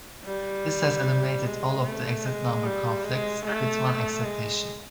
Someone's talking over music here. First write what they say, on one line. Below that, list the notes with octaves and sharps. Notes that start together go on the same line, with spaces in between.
This has eliminated all of the exit number conflicts, with one exception.
G3
G#3
A3
G#3
G3
G#3
A3
G#3